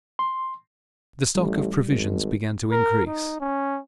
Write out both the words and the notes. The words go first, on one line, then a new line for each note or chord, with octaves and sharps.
The stock of provisions began to increase.
C6
A1 G3
G#1
A#4
D#4
C#4